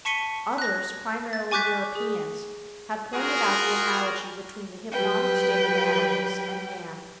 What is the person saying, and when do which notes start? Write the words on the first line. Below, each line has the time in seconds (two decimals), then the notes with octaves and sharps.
Others, primarily Europeans, have pointed out the analogy between the hypnotic state of animals and man.
0.05 A5 C#6 B6 C#7 D#7 G7
0.58 F#6 A#6
1.33 A6
1.51 G#5 C#6 D6 F#6 G6 B6
1.95 G#4
3.14 F4 F#4 G#4 A#4
4.92 F#3 G3 B4 G5